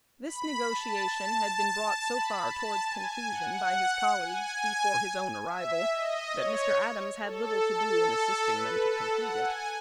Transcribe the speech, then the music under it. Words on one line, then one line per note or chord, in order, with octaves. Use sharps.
This negotiation had been brought so far towards conclusion by his colleagues before his own arrival that Mr. Adams had little to do in assisting them to complete it.
B5
A5
A5
A5
A5
B5
A5
G#5
F#5
G#5
E5
D#5
C#5
A4
A4
A4
B4
A4
F#5
G#5